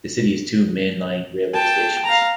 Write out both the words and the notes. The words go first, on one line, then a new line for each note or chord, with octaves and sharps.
The city has two main line railway stations.
G5 A5
F5 A#5